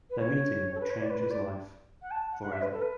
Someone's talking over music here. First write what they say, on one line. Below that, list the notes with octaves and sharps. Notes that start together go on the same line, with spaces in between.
Their meeting will change his life forever.
B4
C#5
A4
B4
C#5
D5
B4
B4
D5
F#5
A5
F#5
F#5
E5
B4
A4
B4